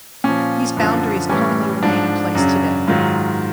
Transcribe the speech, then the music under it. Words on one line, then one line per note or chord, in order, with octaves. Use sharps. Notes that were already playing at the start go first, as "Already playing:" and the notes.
These boundaries currently remain in place today.
A#2 F3 C#4
F#2 D3 F3
A2 E3 G3 C#4
G#2 F3 D4
F#2 C#3 F#3
G#2 D#3 F#3 F4